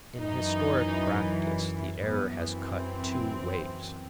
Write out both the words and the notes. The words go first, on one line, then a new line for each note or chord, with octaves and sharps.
In historic practice the error has cut two ways.
F#2 E3 D#4
F#2 E3 B3
C4